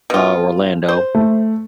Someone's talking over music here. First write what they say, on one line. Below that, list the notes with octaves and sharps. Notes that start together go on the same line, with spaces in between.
uh, Orlando.
B2 F4
C5
A3